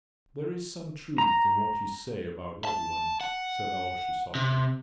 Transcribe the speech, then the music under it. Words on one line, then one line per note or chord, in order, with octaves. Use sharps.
"There is some truth in what you say about every one," said Alyosha softly.
A#5
A5
F#5
C3